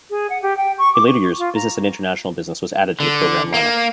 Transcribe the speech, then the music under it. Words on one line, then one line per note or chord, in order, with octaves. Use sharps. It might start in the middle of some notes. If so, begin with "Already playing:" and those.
In later years, Business and International Business was added to the program line-up.
G#4
F#5
G4
G5
C#6
D6
C#6
F4
A#5
D3
A#3